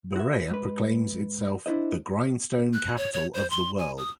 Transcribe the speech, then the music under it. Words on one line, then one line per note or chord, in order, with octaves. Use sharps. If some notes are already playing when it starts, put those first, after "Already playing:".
Berea proclaims itself "The Grindstone Capital of the World".
F#4 E5
G#2 B4
D4 E4 C5 D#5
F#6
C#5
C#5
C5
C6
G#5
D#6